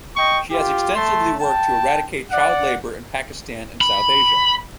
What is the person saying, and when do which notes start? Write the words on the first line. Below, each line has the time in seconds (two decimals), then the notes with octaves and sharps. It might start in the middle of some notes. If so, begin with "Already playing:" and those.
She has extensively worked to eradicate child labour in Pakistan and South Asia.
0.17 D#5 G5 C#6
0.51 F4 G4
0.96 A3 A5 C6
1.40 G5 A5
2.31 D5 F#5
3.81 B5